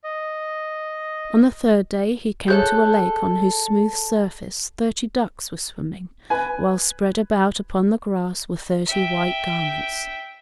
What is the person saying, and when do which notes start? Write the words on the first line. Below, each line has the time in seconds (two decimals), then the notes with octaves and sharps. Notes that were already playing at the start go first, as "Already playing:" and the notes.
On the third day he came to a lake on whose smooth surface thirty ducks were swimming, while spread about upon the grass were thirty white garments.
0.04 D#5
2.48 G#4 A4 C#5 F#6 G6
6.30 B4 G#5
8.86 E5 G5